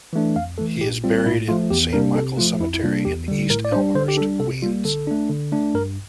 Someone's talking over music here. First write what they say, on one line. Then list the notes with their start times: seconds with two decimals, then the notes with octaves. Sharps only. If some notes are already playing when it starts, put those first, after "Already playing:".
He is buried in Saint Michaels Cemetery in East Elmhurst, Queens.
0.13 E3 A3 D4
0.36 F2 F5
0.58 E3 A3 A4
0.80 A#2 G4
1.04 G3 C4 F4
1.26 A2 E4
1.48 F3 A3 F4
1.70 E2 G4
1.93 C3 G3 A#3 D4 A#4
2.15 C3 A4
2.37 F3 A3 F4
2.60 F2 E4
2.74 E4
2.82 C3 G3 A#3 D4 F4
3.05 E2 G4
3.28 D3 G3
3.50 A2 A#4
3.65 D5
3.72 D4 C5
3.76 G3
3.95 D3 C5
4.08 G4
4.17 D4 A4
4.21 G3
4.40 C3 A4
4.62 G3 A#3 F4
4.85 D3 A4
5.07 A3 D4
5.30 D3
5.52 A3 D4
5.74 G2 A#4